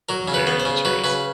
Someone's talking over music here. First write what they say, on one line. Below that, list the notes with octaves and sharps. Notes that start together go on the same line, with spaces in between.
Very luxurious.
F#3 A#4
C#3
B4
B3
C5
C#3
F#3 B4
C#3 B4